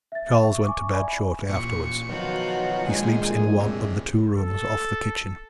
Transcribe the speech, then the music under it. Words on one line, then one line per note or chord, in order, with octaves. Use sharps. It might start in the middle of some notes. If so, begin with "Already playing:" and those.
Charles went to bed shortly afterwards--he sleeps in one of the two rooms off the kitchen.
E5 A6
E5 C#6
G#5 C#6 D6
D5 E5 G#5 B5
A1 A#2 C#6 C#7
B2 D#3 F3 F#3 F4 F#4
A#1 G#3 G#4
F2 A2 C3
A4